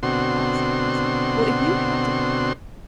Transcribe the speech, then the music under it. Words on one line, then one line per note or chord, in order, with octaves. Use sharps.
Awesome, awesome. Well, if you had to
B2 D3 C4 F#4 C6